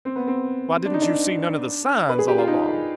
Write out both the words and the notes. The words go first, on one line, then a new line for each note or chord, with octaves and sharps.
Why, didn't you see none of the signs all along?
C4
B3
C4
D4
D#4
D4
B4
G#4
G4
F4
D#4